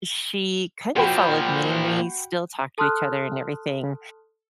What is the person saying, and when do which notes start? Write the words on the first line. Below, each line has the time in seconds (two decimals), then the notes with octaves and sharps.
she kind of followed me, and we still talk to each other and everything,
0.96 A#2 F3 F#4 G5 B5
2.78 A4 A5 C6 D#6 F6 F#6